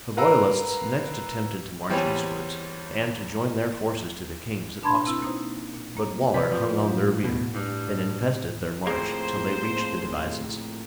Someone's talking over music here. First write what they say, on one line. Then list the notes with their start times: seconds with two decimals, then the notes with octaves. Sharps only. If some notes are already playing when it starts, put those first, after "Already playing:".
The royalists next attempted to march eastwards, and to join their forces to the king's at Oxford: but Waller hung on their rear, and infested their march till they reached the Devizes.
0.17 A#4 B4 F5 F#5 A#5 E6
1.90 E2 G3 C4 G4 C#5 G#5
4.83 B2 D4 A5 B5 C6 G#6
5.06 C4 E4 E6
5.22 A#3 D#4 C5
5.74 A#2
5.97 A#3
6.34 C3 B4 D5 B6
6.52 F3
6.86 A2
7.24 B2
7.54 G2
8.87 F2 A2 A#3 G#4 C5